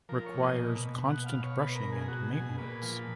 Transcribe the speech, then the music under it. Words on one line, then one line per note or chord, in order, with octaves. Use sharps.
Requires constant brushing and maintenance.
F3 A#4
C#5
A#2
D#5
B2
B2
B2 F#5
F5
B2
C#5
B2 B4
A#4
B2
G#4
B2 F#4
B2 G#4
A#2 B4
F3